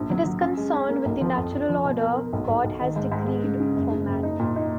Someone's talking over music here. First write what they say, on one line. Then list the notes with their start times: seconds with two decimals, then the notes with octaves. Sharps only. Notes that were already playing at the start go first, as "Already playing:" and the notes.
It is concerned with the natural order God has decreed for man.
Already playing: A#1
0.10 F#3
0.26 F#3
0.41 C#4
0.57 G#3
0.73 C#4
0.89 A#3
1.05 B1
1.21 F3
1.37 F2
1.53 F2
1.69 F3
1.85 B2
2.01 A#4
2.16 A#4
2.33 B1
2.48 B1
2.64 B1
2.81 D#3
2.96 G#2
3.12 G#2
3.27 G#3
3.44 C#3
3.60 C#3
3.76 F#1
3.91 C#3
4.08 F#1
4.23 D#4
4.39 A#2
4.56 D#4